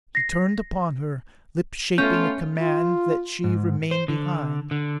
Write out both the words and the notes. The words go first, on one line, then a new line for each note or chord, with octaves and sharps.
He turned upon her, lips shaping a command that she remain behind.
A#6 C7
A3 B3 C#4 F4 G6
F4
G#2
C5
D3
D3